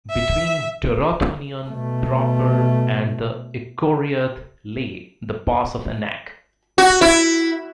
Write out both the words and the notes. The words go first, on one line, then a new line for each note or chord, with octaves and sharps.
Between Dorthonion proper and the Echoriath lay the Pass of Anach.
E5
B2 A3
F#4
E4